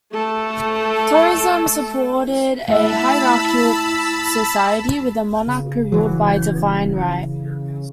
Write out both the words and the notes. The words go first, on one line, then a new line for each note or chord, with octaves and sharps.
Toryism supported a hierarchical society with a monarch who ruled by divine right.
A3 A4
A3 E4 E5 F#5 A5 B5 E6
C#3
E3 F#3